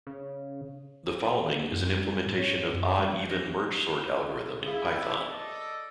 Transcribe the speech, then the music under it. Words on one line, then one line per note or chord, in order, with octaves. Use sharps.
The following is an implementation of odd-even mergesort algorithm in Python.
C#3
A#3
F#2
G3
G#2
C#5
F#2
G3
F3
A#6
E4 G#4 F5
A4 D5 D#5